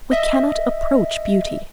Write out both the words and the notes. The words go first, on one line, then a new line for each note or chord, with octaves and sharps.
We cannot approach beauty.
D#5 E5